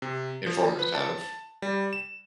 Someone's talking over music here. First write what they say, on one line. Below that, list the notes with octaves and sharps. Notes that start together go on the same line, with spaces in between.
informers have.
C3
F3
B4
A5
G3
E7